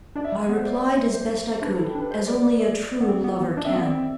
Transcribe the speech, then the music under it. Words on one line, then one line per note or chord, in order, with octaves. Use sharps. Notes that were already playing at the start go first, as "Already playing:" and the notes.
I replied as best I could--as only a true lover can.
D4 D5
E5
G3 D5
B3
C5
D5
C5
D4 B4
A4
E4
G4
D4
B4
C5
D5
D5
E5
B3
C4
B3
B3
D4 D5
C4 E5
B3 D5
C4